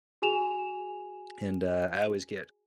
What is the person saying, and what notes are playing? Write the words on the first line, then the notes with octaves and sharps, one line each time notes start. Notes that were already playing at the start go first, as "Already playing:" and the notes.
And, uh, I always get
F#4 G#4 G#5 E7 F7